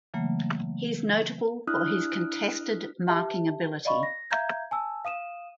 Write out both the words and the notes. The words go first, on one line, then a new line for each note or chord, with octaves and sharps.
He is notable for his contested marking ability.
C#3 E3 F#3 A3 A#3
D4 E4 D#6 F6 F#6
G4 E5 A5
D5 D#5 F5 B5 C#6
A#6
E5 F5 A#5 G6 G#6
G#5 A5 E6
F5 D#6 D#7 E7